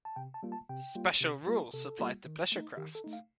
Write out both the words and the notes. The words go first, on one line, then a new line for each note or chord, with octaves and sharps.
Special rules apply to pleasure craft.
A5
C3 G5
A5
G3 A#3 F4
A5
C3 G5
G3 A#3 F4
C3
G3 A#3 F4
C3 A4
G3 A#3 F4
D#3
A3 D#4
D#3 G4
A4
A3 D#4
F5